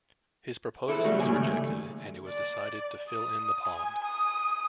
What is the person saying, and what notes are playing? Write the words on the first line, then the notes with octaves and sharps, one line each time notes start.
His proposal was rejected and it was decided to fill in the pond.
E4 G#4 A4 C5
C2 F#3 G3 A3 F#4
G#2 C#3 G3 A#3 G#5
D#2 A3
D5
D#6
G#5
D#6